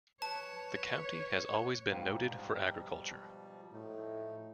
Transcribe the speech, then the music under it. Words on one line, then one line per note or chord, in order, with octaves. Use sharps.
The county has always been noted for agriculture.
B4 C#5 A5
G#2 B2 F3 G3 F5 G5
A2 F3 A3 D#4